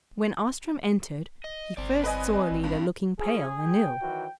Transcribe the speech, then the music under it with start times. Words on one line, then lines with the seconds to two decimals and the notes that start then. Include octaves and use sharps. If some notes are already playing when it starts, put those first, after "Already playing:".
When Ostrom entered he first saw Alida looking pale and ill.
1.44 D#5
1.77 G1 C4 D5
2.04 B4 D#5 G#5
2.51 G#1
2.64 G2
3.20 F3 C#4 E4 G#4
3.58 G5
4.01 D#3 E3 F#3